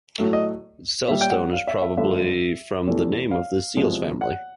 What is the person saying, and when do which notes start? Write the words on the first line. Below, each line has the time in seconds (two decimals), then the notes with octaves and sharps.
Zelstone is probably from the name of the Zeals family.
0.18 A2 F#3 A3
0.33 D#5
1.08 A#2 G3 E5
1.21 G5
1.30 F#5
1.53 F5
1.67 E5
1.82 E5
1.97 G2 D3 F3 A3 E5
2.87 E2 C3 E3 A3
3.31 F5
3.77 E2 C3 F3 G#3
4.21 F#5